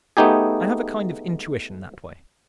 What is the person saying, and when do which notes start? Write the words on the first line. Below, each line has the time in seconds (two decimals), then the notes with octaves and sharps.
I have a kind of intuition that way.
0.17 A3 B3 D#4 G4 G#4